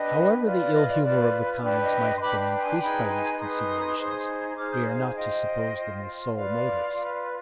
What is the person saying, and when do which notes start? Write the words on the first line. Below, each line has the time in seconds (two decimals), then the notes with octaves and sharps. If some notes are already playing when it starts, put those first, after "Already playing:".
However the ill humor of the commons might have been increased by these considerations, we are not to suppose them the sole motives.
Already playing: D4 G4 B4 D#5
0.44 F4 B4 D5
0.58 D5
0.73 D#5
0.88 D5
1.03 F4 B4 D5
1.62 D4 G4 B4 D5
1.81 D#5
2.01 D#5
2.17 C6
2.20 D4 G4 B4 B5 D6
2.60 G#5 C6
2.80 D#4 G#4 B4 G5 B5
3.09 G#5 C6
3.39 D#4 G#4 B4 C6 D#6
3.98 D#4 G#4 C5
4.57 D#4 G#4 C5 D6 F6
4.72 D#6 G6
4.87 F5 G#5
5.01 F5 G#5
5.16 F4 C5 D#5 G5
5.75 F4 C5
6.33 F4 B4 D5 F5
6.93 F4 B4